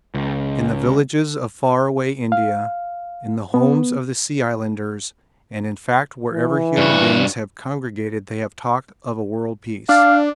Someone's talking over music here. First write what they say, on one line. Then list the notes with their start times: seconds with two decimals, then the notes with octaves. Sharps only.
In the villages of far away India, in the homes of the Sea Islanders and in fact wherever human beings have congregated they have talked of a world peace.
0.14 C#2
2.32 F5
3.54 B3
6.32 E3
6.77 G2 F#4
9.89 D4 F5